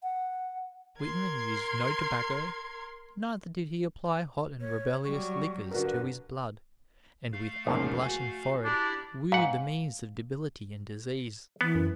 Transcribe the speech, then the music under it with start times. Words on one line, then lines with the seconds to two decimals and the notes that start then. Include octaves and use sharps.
Whitman used no tobacco, neither did he apply hot and rebellious liquors to his blood and with unblushing forehead woo the means of debility and disease.
0.03 F#5
1.01 A#4 C6 G#6
4.61 C#5
5.04 F#3 G3 C#6
5.71 G2 D3 F#4 A#4 B4
7.32 A3 F5
7.67 A#1 E2 G#2 C#3
8.02 F#4 G#5
8.65 D4 E4 G4 D5
9.32 G#2 F5 F#5
11.61 E3 B3
11.75 F#2